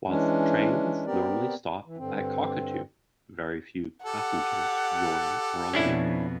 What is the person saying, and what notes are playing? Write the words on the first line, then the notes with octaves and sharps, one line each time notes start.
Whilst trains normally stop at Cockatoo, very few passengers join or alight.
E3 G#3 C#4 D4
B3 C4 G4 A#4 D5
E3
G2 D3 C4
G4 A4 F#5
F2 B2 C#4 D4 E4